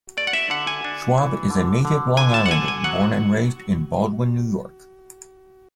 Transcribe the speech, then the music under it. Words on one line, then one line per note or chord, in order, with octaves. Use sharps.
Schwab is a native Long Islander, born and raised in Baldwin, New York.
A3 D5
F#5
E5
D3 F#5
G#5
D4
E3
D3
D3
D3 G#5
A5
F#5
D3 G#5
G#5
F#3 F#5